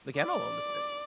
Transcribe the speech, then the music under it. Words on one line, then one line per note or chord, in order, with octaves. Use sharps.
The camo almost did.
D5